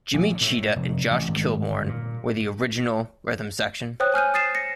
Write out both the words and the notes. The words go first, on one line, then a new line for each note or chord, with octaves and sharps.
Jimi Cheetah and Josh Kilbourn were the original rhythm section.
A#1
A2
F1
A1
G#1
G1
A#2
C5 C#5 G5 D#6 F#6
G#5 F6 G6 D#7
D#6 A6 C7 D#7 E7
A#6 C#7